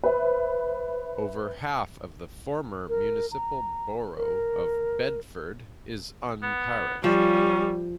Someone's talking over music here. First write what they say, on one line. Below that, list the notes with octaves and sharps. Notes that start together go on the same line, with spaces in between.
Over half of the former municipal borough of Bedford is unparished.
B4 C5 E5
A#4
A#5
A#4
B3
F3 G3 C#4